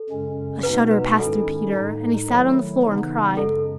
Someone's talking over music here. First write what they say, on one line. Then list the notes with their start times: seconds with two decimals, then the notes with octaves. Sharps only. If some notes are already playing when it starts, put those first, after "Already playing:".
A shudder passed through Peter, and he sat on the floor and cried.
Already playing: A4
0.09 F#2 C#3 G#3 C#4
0.63 B2 G#3 B3 D#4 B4
0.91 B4
1.18 G#2 D#3 G#3 C#4 E4 A4
1.73 A2 G#3 D#4
2.28 D#3 F#3 A3 E4
2.82 C#3 E3 B3 D#4
3.37 F#2 C#3 G#3 A4